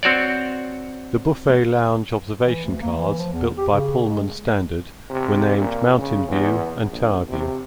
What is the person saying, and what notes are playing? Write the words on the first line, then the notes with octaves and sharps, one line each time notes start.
The buffet-lounge-observation cars built by Pullman Standard were named "Mountain View" and "Tower View".
C4 F#4 C#5 D5
E3
D2
A#3
E3
F3
E2
G4
C#3
G#3
C3
A#2
C#3
E2
A#1
C3